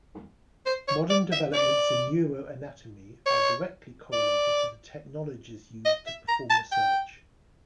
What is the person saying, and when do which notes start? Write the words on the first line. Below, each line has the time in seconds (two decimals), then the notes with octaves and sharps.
Modern developments in neuroanatomy are directly correlated to the technologies used to perform research.
0.66 C5
0.88 C#5
1.10 D5
1.32 E5
1.53 D5
3.26 C#5
4.13 D5
5.85 D#5
6.07 E5
6.28 A#5
6.50 A5
6.72 G5